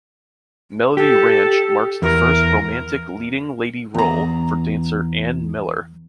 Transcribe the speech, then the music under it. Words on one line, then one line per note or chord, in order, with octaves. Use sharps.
"Melody Ranch" marks the first romantic leading lady role for dancer Ann Miller.
G4 A4
E2 A#4
E2 A#5